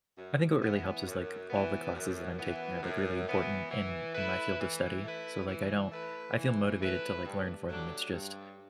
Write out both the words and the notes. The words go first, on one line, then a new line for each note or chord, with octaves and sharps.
I think what really helps is, like, all the classes that I'm taking are, like, really important in in my field of study, so, like, I don't I feel motivated to, like, learn for them, it's just
F#2
E3 B3
F#2
E3 B3
F#2
E3 B3
F#2
E3 B3
E3
A3 E4 B4
E3
A3 E4 B4
E3
A3 E4 B4
E3
A3 E4 B4
G2
F#3 A3 D4 G4
G2